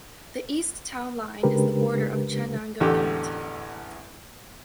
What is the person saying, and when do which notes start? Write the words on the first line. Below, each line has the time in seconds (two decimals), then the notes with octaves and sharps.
The east town line is the border of Chenango County.
1.43 C#3 G#3 D4 G4 A#4 B4
2.80 A1 E2 D3 A3 G4